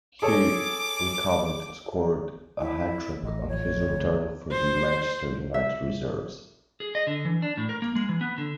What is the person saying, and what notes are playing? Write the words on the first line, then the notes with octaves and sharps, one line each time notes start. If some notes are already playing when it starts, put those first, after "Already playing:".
He recovered and scored a hat-trick on his return for the Manchester United reserves.
G#4 A4 C#5 D6
E4
A1 D#5
A1 F3 C#5
G1 D2
C5
E5
G#4
D#5
D3
E3
D4
A2
A#4
A#3
G#3
E3
B3
D3